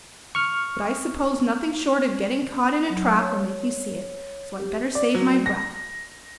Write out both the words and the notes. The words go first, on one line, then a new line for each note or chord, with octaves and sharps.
But I suppose nothing short of getting caught in a trap will make you see it; so I better save my breath.
C#6 F6
F#3
C#5
G4
D5
F#3
A#6